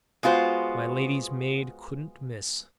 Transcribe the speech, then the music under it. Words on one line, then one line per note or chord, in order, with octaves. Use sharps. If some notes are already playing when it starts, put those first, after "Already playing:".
My lady's maid couldn't miss.
G#3 B3 F4 F#4 C5